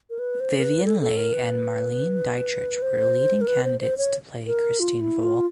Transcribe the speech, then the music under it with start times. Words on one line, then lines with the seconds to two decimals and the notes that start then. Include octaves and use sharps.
Vivien Leigh and Marlene Dietrich were leading candidates to play Christine Vole.
0.10 A#4
0.19 B4
0.40 C5
0.58 A#4
0.63 B4
0.85 A4
1.01 A4
1.17 A#4
1.33 B4
2.82 C5
3.41 A#4
3.48 B4
3.64 C5
3.80 C5
3.98 C#5
4.46 A#4
4.80 F4
5.01 E4
5.23 F4